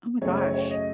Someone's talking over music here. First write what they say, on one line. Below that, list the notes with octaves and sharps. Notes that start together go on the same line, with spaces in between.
Oh my gosh.
F#2 C#3 F#3 A3 C#5
C#5
C#5
D#5